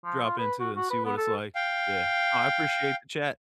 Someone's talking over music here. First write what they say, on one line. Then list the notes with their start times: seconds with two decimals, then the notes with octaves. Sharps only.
drop into it and see what it's like, yeah. No, I appreciate the chat.
0.04 F3
0.24 F4
0.38 B4
0.60 F#4
0.76 F#4
0.91 B4
1.05 B3
1.18 A4
1.55 F5 G5